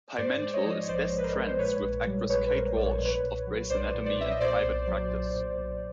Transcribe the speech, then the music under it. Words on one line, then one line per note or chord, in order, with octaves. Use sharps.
Pimental is best friends with actress Kate Walsh of "Grey's Anatomy" and "Private Practice".
G#2 C5 D5
G#3 D5
C#5 D#5
F3
A#1 C5 D5
G#2
B4
A#4 C5
G#3
C5
A#2 B4 C#5
A#1
G3
A#1 B4 C#5
B4
A#2 A#4 C5
A#1 D5
C#5
A#2 C5
B4 C#5
B1
F#3
B1 C5 D5
A#2
C5 D5
B1 E5
D#5
A#2 C5 D5
B1
F#3
B1
A#2
B1